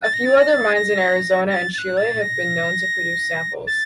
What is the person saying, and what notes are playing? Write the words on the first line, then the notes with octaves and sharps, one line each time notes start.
A few other mines in Arizona and Chile have been known to produce samples.
A6
A#6
A6
A#6
A6
A#6
A#6
A6
A6
F#6
A6
A#6
A6